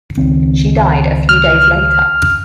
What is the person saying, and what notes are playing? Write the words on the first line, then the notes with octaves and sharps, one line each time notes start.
She died a few days later.
C#2 D#3 C4
F6